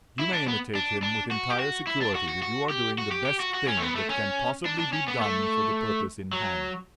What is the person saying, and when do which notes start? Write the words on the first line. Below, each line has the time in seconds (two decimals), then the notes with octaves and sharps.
You may imitate him with entire security that you are doing the best thing that can possibly be done for the purpose in hand.
0.19 E4
0.33 D4
0.48 B3
0.75 D4
1.03 D4
1.31 F#4
1.50 G4
1.59 F#4
1.87 E4
2.01 D4
2.15 F#4
2.29 F#4
2.42 F#4
2.70 G4
2.98 F#4
3.12 G4
3.26 G4
3.40 F#4
3.54 F#4
3.68 C#4
3.77 A3
3.82 B3
3.96 A3
4.10 C#4
4.65 D4
4.79 D4
4.93 C#4
5.08 B3
5.21 A3
6.33 F#3